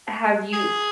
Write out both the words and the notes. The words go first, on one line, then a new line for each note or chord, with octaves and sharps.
have you
G#4